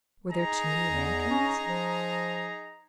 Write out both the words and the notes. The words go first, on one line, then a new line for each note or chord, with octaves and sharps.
Were there too many lanterns?
D#4 G#4 A#5
E2
C#4
F3